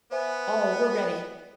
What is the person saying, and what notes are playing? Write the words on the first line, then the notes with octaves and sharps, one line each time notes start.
All were ready.
B3 C5 E5 G#5